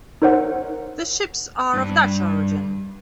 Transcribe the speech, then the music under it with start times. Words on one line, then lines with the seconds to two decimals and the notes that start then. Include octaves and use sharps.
The ships are of Dutch origin.
0.22 D#4 A#4 C5 C#5 F#5
1.74 G2